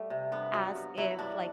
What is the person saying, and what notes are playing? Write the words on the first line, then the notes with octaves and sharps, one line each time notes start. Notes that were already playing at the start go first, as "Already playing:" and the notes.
as if, like,
Already playing: G3 A3
C3
G2 B3
F#3
G2
F#3 E4
G2 D4